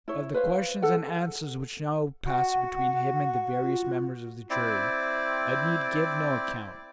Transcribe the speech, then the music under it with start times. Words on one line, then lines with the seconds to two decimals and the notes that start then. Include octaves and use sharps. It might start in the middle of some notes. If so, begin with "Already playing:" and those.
Of the questions and answers which now passed between him and the various members of the jury I need give no account.
0.08 E4 C#5
0.34 B4 C5 F5
0.82 A4 F#5
2.26 F#4 F#5
3.62 F4
4.50 C4 E4 D5